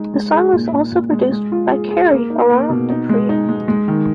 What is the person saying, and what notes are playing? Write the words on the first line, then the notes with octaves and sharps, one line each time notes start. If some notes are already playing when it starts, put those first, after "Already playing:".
The song was also produced by Carey along with Dupri.
Already playing: G#3 D#4
G#3
G#4
A#2
A#2
A#2
G#3
G#3
F4
G#4
G#4
A#3
D#4
A#3
B2
D#4
G#3
D#4
G#3
G#3
D#3